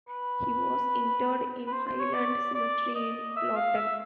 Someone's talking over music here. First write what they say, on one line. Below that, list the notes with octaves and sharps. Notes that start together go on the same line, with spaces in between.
He was interred in Highland Cemetery in Lawton.
B4
B4
C5
C5
C#5
D5
D5
D#5
E5
F5
E5